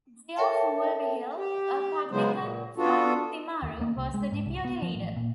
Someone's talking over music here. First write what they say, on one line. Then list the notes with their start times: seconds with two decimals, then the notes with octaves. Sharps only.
Geoff Mulvihill, a publican from Timaru, was the deputy leader.
0.36 A4 A#4 C#5 E5 G5 A5
1.37 G4
2.11 C#3 F#3 G#3 B3 C5
2.35 A#2
2.76 B3 D4 F4 F#4 A4
3.62 D#2
3.81 A#3
3.97 C2
4.14 G#3
4.32 G#2
4.46 C2
4.65 B3
4.82 F3
4.95 A1
5.16 A#2